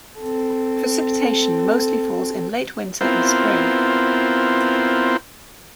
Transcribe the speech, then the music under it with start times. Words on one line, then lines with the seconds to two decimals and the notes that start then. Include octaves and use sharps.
Precipitation mostly falls in late winter and spring.
0.19 C4 A4
3.01 B3 C4 E4 F4 A#4 C5